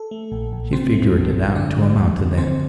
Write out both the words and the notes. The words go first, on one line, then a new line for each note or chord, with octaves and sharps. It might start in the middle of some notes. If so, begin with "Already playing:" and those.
She figured it out to amount to that.
Already playing: A4
A3
A#1
A#1
A#2 C4 C5
A3
A#1
A#1
D3 D4 D5
G3
D2
D2
D3 C4 C5